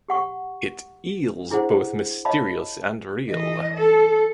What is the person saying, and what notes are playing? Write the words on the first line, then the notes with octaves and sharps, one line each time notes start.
It eels both mysterious and real.
G4 F#5 C#6
D4 E4 G#4 C5 F#5
C#5 D#5 F5 A5 B5
E3 D#5
A4